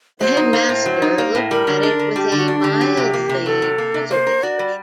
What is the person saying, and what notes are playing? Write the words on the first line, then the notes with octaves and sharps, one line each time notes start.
The headmaster looked at it with a mildly puzzled expression.
F#3 C5
D#4
A#3
A2
F#3
D#4
A#3
A2
G3 A#4
D3
D4
D3
G3 G4
D3 F#4
D4
D3 G4
F#3
C3
A#3
C3
F#3 A4
C3
A#3
C3
A#3 C5
A#4
F#4 D5
G3